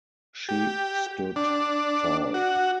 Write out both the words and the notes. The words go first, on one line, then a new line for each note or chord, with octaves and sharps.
She stood tall.
G4
D4
F#4